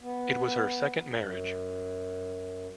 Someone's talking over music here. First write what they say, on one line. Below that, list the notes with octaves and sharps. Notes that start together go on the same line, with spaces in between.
It was her second marriage.
B3
F#2